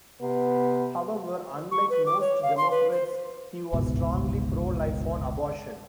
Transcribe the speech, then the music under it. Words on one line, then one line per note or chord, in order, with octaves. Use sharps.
However, unlike most Democrats, he was strongly pro-life on abortion.
C3 B3
C#6
B4
D6
C#5
F5
C6
B4
C5
G1 C#2 G#2 B2